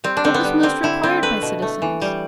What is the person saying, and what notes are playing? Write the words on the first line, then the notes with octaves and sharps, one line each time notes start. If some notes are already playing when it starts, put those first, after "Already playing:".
What was most required by citizens?
G3 C4
D4
D3 C4
B3
G3
G3 C4
D3 E4
G3 C4
A3 B4
B2
A3
E3
G3